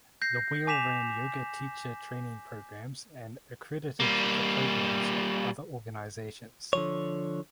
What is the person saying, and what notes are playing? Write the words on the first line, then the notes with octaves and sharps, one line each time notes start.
The Wheel ran yoga teacher training programmes and accredited the programmes of other organisations.
G6 A#6 C7
G#5 D6 B6 E7 F7
G3 A#3
D3 F3 C#5